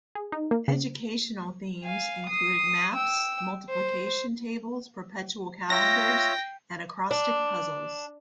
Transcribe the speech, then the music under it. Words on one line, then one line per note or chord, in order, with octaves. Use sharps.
Educational themes included maps, multiplication tables, perpetual calendars, and acrostic puzzles.
G#4
D#4
A#3
C#3
F5 G#5
D#6 C7
G5 E6
C5
F4 C#5 E5 G5 A#6
D4